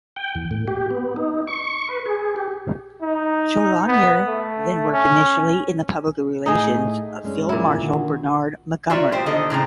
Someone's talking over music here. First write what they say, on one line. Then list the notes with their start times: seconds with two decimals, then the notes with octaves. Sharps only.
Chaloner then worked initially in the public relations of Field Marshal Bernard Montgomery.
0.16 G5
0.35 E2
0.51 A2
0.68 G4
0.90 B3
1.16 D#4
1.47 C#6
1.89 B4
2.06 G#4
2.36 G4
3.02 D#4
3.87 B3
4.27 A3
4.93 C#4
6.46 A2 A3 D#4 G#4
7.24 G2 G#3 C#4
7.49 A#2 E4
7.81 D3 D#3 F#4
8.90 F4 F#4 A#4 C#5 D5 E5
9.12 A#2 B3 G4 C5
9.26 D3 D#3 A4 D#5
9.50 A2 C#3 C4 A#5